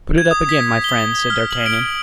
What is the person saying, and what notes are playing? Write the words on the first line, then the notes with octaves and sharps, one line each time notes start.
"Put it up again, my friend," said D'Artagnan.
G#6
D#6
B6
G7
F6
F#7
D7